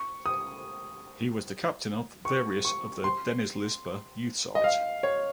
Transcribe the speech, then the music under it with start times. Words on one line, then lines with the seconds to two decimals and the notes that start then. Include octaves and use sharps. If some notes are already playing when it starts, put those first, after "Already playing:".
He was the captain of various of the Denizlispor youth sides.
Already playing: C#6
0.26 D#6
2.25 C#6
2.65 C#6
3.04 C6
4.55 D#5
4.64 F5
5.03 C#5